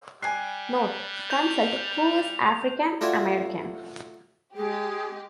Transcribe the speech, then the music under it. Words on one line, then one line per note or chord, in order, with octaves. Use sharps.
Note: Consult Who is African-American?
G3 G5 G#5 F#6 C7
G6 F7
A3 F4 F#4 D5 E5 G#5
G#3 G4 G#4